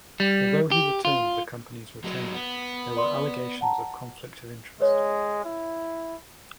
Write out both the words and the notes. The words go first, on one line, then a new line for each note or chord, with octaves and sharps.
Although he returned the company's retainer, there were allegations of conflict of interest.
G3
G4
F4
F#3 G#3
B3
D5 C6
F#5 A5 A#5
G#3 B4 C#5
E4